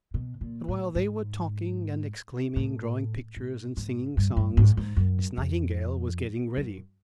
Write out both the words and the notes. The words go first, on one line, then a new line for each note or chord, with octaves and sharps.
But while they were talking and exclaiming, drawing pictures and singing songs, Miss Nightingale was getting ready.
B2
A#2
A2
G#2
A2
A2
G#2
G2
G2
G#2
G#2
F#2
F2
F#2